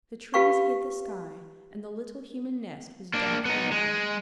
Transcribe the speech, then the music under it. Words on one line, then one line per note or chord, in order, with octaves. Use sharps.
The trees hid the sky, and the little human nest was dark around them.
F4 G4 B4 F5 G5 C#6
A#3 D4
B3 D#4
G#3